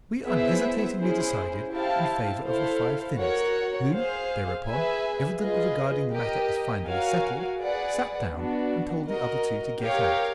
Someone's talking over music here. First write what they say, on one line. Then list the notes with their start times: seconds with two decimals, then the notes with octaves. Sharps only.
We unhesitatingly decided in favour of the five thinnest, who, thereupon, evidently regarding the matter as finally settled, sat down, and told the other two to get out.
0.24 B3 E4 G#4 C5 E5
0.98 C#4 E4 G#4 C5
1.71 E4 G4 C5 F5 A5
2.45 E4 A4 C5 F5
3.18 F#4 A#4 C#5 F#5
3.91 G#4 C5 F5
4.65 G#4 B4 E5 G#5
5.38 F4 G#4 B4 D#5
6.12 G4 A#4 D#5
6.86 F#4 A#4 C#5 F5 G#5
7.60 G#4 B4 D5 F#5
8.33 B3 D4 F#4
9.07 F#4 A#4 D#5
9.80 G4 A#4 C#5 F5